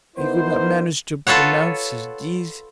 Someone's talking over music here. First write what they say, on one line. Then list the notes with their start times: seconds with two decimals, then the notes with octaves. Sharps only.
He could not manage to pronounce his Ds.
0.16 B3 D#4 E4 A#4 C5
1.27 F4 A4 B4 C#5 F#5